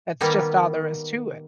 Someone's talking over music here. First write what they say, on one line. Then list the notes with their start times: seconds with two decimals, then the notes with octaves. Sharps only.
That's just all there is to it.
0.21 D#3 G3 A#3 B3 D#4